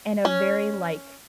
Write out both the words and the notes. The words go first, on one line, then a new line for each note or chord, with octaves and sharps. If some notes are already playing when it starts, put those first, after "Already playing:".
in a very, like,
C#4